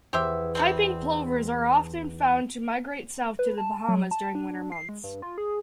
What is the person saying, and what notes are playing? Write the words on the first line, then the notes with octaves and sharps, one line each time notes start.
Piping plovers are often found to migrate south to The Bahamas during winter months.
E2 G4 C5 E5
C3 G3 C4
B4
A5
F#3
A5
D4
C7
G#3
G2
F4
G#4